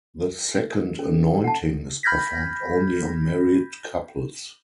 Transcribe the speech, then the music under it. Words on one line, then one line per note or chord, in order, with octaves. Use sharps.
The second anointing is performed only on married couples.
A#4
C#4 A4
F#5 A5
B5 F6 G6 G#6 A#6 B6